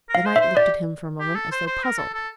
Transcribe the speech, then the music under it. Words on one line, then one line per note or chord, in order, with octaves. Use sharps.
The knight looked at him for a moment as though puzzled.
A#4
F5
C5
E5
C5
G4 D5
G4
A4
C5
C5
A#4
A4
A4